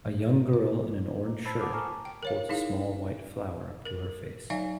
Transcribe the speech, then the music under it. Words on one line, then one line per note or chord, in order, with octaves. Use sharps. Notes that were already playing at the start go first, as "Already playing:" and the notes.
A young girl in an orange shirt holds a small white flower up to her face.
A2
A#2
A3
C5 A5 B5 E6
F#5 A5 D6 D#6
A4 G#5 A#5 C#6 F6
G5
A#4 C#5 F5
D#4 E4 G#4 F5
A#4
F#3 D#4 D5 E5 F5 G#5